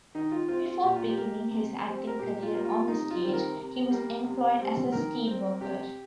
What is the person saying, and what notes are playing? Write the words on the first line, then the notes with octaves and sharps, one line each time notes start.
Before beginning his acting career on the stage, he was employed as a steelworker.
D#3 D#4
F4
C4 F4
F4
A#2 G4
F4
G4
A#3
C3
G3 C4
A#4
A#2 G4
F4
G3 A#3
F4
C3 D#4
F4
D#3 G3 C4
A#4
C3
G3 A#3
C3
G3 C4
D#3 A#4
C4
C3 G4